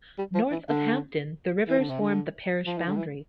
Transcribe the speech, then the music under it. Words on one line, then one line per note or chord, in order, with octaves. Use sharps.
North of Hamptworth, the river forms the parish boundary.
G3
F3
E3
D3
E3
D3
C3
D3
F3
E3
D3
E3